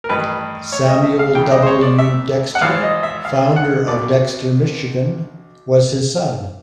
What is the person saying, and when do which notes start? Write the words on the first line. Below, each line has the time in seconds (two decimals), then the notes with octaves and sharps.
Samuel W. Dexter, founder of Dexter, Michigan, was his son.
0.04 A#4
0.09 A1 G2 D#3 B4
0.72 C#5
0.88 D#5
1.03 E5
1.19 F5
1.35 C#2 C#3 E3 G5
1.51 D#5
1.63 C5
1.67 C#5
1.83 D5
1.99 E5
2.55 F#5
2.61 G#1 G#2 E3 F5
2.83 D#5
3.03 E5
3.25 F5
3.56 F#5
3.87 B1 B2 D5